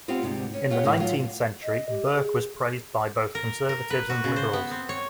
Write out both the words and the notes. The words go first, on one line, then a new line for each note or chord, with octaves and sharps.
In the nineteenth century Burke was praised by both conservatives and liberals.
B3 C4 F4 G4
D2 G#2 C3
C#4
F4 G4 C#5 F#5
A2 D3 D#3 F#3
F#3 F4
D#5
G4
G#4
A#4
A#4
B4
F#4
C#3
C5
B3
C4
C#5